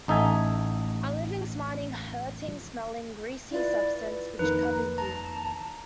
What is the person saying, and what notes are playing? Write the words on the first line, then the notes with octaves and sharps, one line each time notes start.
A living, smarting, hurting, smelling, greasy substance which covered you.
A1 D#4 A4 E5 G#5
E4 F4 B4 D5
F2 D#3 A#3 B4 A#5
A5 A#5